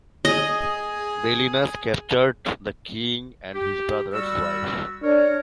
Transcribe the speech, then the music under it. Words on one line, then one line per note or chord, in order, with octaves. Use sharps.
Belinus captured the king and his brother's wife.
G#4 D#5
G4
G3 F#4 E6
D4 A#4 C#5